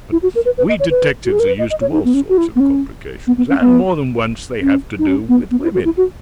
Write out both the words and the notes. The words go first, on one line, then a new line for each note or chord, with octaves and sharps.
But we detectives are used to all sorts of complications, and, more than once, they have to do with women.
E4
F#4
A#4
B4
B4
D#5
C#5
B4
F#4
G#4
A#4
B4
D#5
D#5
C#5
D#4
B3
C#4
F#4
E4
B3
C#4
B3
B3
C#4
B3
C#4
D#4
C#4
B3
B3
E4
F#4
E4
F#4